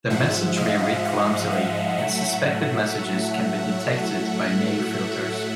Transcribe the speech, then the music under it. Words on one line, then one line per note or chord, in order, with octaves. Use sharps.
The message may read clumsily, and suspected messages can be detected by mail filters.
G#2 F3 G#3 E5 F#5
D#5 F5
E5 F#5
E5 F#5
A2 F#3 A3 E5 F#5